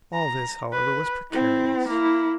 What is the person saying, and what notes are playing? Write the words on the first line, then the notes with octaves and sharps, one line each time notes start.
All this, however, was precarious.
A#5
B4
C4 E4
A#3 E4